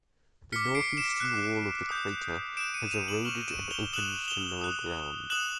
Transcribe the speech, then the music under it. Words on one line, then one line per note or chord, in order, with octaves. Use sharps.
The northeastern wall of the crater has eroded and opens to lower ground.
D6 F6 B6 C#7
C7 D7
D7 E7
D6 F#6
D#6 G6
D#6 F#6 D7 E7
C#7 D#7
D#7 F7
E7 F#7
C#6 F6 E7 F#7
D7 E7
F7 G7
D#6 F#6 E7 F#7
F7 G7
D#6 F#6
D#6 F#6 E7 F#7